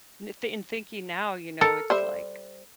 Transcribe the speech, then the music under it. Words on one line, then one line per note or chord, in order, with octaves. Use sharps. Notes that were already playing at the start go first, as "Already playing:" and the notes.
N th in thinking now, you know, it's, like
A4 A#4
G3 C5 E5